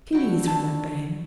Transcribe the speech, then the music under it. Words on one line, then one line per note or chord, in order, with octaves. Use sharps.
Please remember him.
D4 E4 F#4 G5
A5